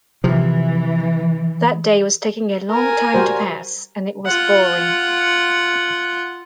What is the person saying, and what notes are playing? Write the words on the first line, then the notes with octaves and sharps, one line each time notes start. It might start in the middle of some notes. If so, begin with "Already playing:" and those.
That day was taking a long time to pass, and it was boring.
C3 E3 F3
A#4 G#5
G3 F#4 C5
F4 F#5